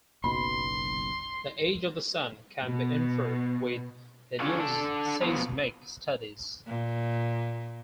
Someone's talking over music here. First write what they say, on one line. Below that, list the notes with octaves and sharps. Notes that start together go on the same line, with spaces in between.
The age of the sun can be inferred with helioseismic studies.
F#1 B1 B2 B5 C6
B2
D3 F#3 C#4 F4 G#4 A4
D4 A4
F3 F#3 B3 C4
A#2